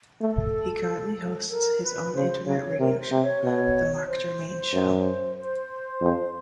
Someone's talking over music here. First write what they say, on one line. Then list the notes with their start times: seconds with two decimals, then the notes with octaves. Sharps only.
He currently hosts his own internet radio show, "The Marc Germain Show".
0.21 A3 A4
1.50 A#4
1.82 B4
2.14 C#3 C5
2.46 C#3 C#5
2.79 C3 A#4
3.01 C5
3.11 C3
3.22 C#5
3.44 B2
3.95 C#5
4.08 C5
4.72 F#2
5.37 C5
6.01 F2